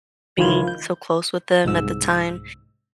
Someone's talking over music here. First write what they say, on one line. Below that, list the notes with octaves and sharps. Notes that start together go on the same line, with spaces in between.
being so close with them at the time,
C#2 D#3 E3 F4 B5 G#6
G6
C2 G#2 E6